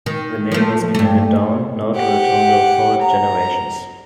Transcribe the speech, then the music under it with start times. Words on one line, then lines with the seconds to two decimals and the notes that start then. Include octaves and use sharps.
The name has been handed down, now to a total of four generations.
0.06 D#3
0.52 F3 A3
0.95 G2 A3
1.95 G4 F#5
3.01 A#5